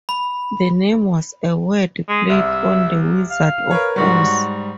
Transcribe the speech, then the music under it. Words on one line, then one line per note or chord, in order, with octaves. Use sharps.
The name was a word play on The Wizard of Oz.
B5
G#3
C2 E5
F5
A#4 B4 C#5
G#2 G3 F#4